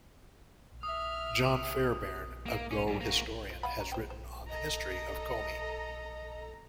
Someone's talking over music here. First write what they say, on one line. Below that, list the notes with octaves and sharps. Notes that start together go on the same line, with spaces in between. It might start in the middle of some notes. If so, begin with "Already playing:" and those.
John Fairbairn, a Go historian, has written on the History of Komi.
E5 D#6 F6
A#3
C#4
G#2 G3
A#3 F#4
C5
F5 F#5 B5
G3 C#4 A#5
C5 G5
C5
A4 D#5 A#5